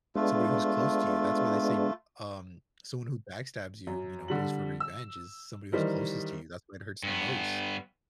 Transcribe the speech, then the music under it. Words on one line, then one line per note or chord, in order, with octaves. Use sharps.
somebody who's close to you. That's why they say, um, someone who backstabs you, you know, goes for revenge, is somebody who's closest to you, that's why it hurts the most.
G#3 A3 B3 D4 F4
F#2
D3 G3 F#7
E6
D#3 E3 G3 A#4 C5 D#5
G2 B3